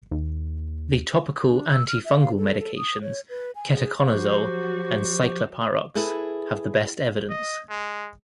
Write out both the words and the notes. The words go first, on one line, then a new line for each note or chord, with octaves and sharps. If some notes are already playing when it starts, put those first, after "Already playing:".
The topical antifungal medications ketoconazole and ciclopirox have the best evidence.
D#2
D4
E6
F6
E5
F5
A4
A4
D#6
C#5
B4
G#5
G#4
F3 F#3 F#4 G4 C5 C#6
E4 G#4 A4 B4
D#5
G#3